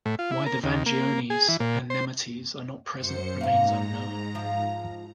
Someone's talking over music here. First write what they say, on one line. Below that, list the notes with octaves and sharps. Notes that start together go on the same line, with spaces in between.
Why the Vangiones and Nemetes are not present remains unknown.
A2
F4
E4
A#4
D#2
A#3
G#4
E3
A#2
C5
F#2 C5 C#7
G#2 A#3 F5 A#5
F3 F4